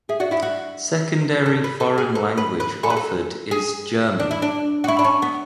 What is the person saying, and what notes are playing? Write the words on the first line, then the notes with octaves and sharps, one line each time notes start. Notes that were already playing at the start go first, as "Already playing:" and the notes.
Secondary foreign language offered is German.
G#4 E5
F#4 D5
E4 E5
F#4
A4
B4
A4
G#4
A4
B4
B4
A4 G#5 B5
B4
A4
G#4
D4
E4
D4
F#4
E4 C#6
D4 B5
C#4 A5 C#6
B3